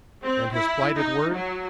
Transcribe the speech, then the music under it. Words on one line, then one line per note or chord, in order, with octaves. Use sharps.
And his plighted word?
C4
E4
D#4
F#3